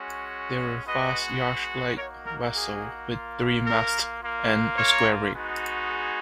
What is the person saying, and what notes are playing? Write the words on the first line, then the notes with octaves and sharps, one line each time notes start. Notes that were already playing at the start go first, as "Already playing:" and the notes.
They were fast, yacht-like vessels, with three masts and a square rig.
Already playing: G#3 C#4 F#4
G#3 B3 F#4 B4 D#5
A#3 D#4 F#4 A#4 C#5
A#4
G#4
A#3 F4
A#4
A#3 F4
A#4 C#5
G#3 B3 D#4 F#4
G#4